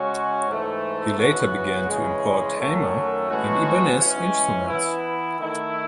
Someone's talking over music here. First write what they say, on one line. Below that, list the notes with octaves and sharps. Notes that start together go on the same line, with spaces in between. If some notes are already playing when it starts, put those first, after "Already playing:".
He later began to import Tama and Ibanez instruments.
Already playing: C#3 G#3 C#4 F#4
G#2 E3 A3
C#3 E3 B3 F#4
C#3 E3 G#3
F#2 D#3 A3
A2 E3 G#3 C#4 F#4
E3 G#3 C#4
E3 B3 E4
D#3 A3 E4